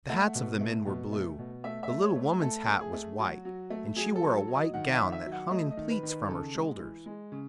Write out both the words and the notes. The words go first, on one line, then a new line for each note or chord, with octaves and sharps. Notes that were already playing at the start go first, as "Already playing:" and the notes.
The hats of the men were blue; the little woman's hat was white, and she wore a white gown that hung in pleats from her shoulders.
A3 F#5
B2
A3
B2
A3
B2
A3 E5
E5
A3
C#5
A3
A3 A4
A3
G#4
A3
F#3 F#4
F#3
A3
F#3 G#4
A4
F#3
A4
F#3
D#5
D#3 F#5
E5
D#3
E5
F#3
F#5
A3 D#5
D#5
D#3
B4
D#3
B4
C#3 A4
G#3
E3
G#3
C#3